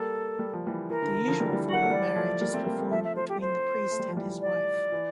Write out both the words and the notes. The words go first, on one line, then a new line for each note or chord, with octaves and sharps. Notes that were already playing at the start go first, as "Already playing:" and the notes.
The usual form of marriage is performed between the priest and his wife.
Already playing: G3 A#3 A4
G3
F3
E3 G3
E3 A#4
D3
E3
D3 F3
E3 G3
E3 G3
A#3
A3
E3 G3 D5
F3 A3
G3 A#3
A3 C4
G3 A#3
A3 C4
F3 A3 E5
E5
C5
G4
C5
A3
G3
F3
E3 G3
D5
E3